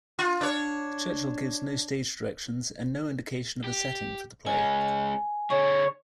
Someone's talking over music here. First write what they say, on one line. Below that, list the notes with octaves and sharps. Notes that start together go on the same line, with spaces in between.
Churchill gives no stage directions and no indication of a setting for the play.
F4
D4 C#5
G4
G#3 C#4 G#5
D3 G#4 C#5